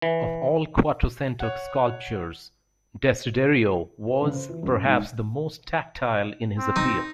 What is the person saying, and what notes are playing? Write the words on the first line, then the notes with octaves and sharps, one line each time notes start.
Of all Quattrocento sculptors, Desiderio was, perhaps, the most tactile in his appeal.
E3
C#5 F#5
B4
C#3
C5
E3
F#2
G#2
C4
D#4 D#6